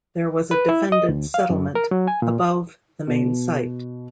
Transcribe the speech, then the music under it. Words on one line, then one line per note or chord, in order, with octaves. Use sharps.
There was a defended settlement above the main site.
B4
E4
D#5
D2
F5
F#2
A#4
F#3
G#5
A#2
B2